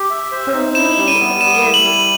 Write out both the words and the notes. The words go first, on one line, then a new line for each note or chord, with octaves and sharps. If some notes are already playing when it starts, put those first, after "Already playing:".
Uh, for me, it's
Already playing: G4
E5
C5
D#4
E4 E7
G3
D#7
B3
G3 E7
E4
F#7
G3